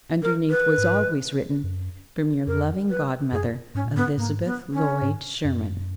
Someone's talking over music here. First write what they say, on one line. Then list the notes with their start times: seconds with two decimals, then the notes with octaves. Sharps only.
Underneath was always written: "From your loving godmother, Elizabeth Lloyd Sherman."
0.22 A#4
0.50 B4
0.78 G#2
1.64 F#2
2.47 F2 A#4
2.90 B4
3.32 F#2 G#4
3.75 G#2 C#4
3.85 A#2
3.96 G#2 B3
4.17 G#2 A#3
4.45 B3
4.73 C#4
5.02 G#2
5.44 F#2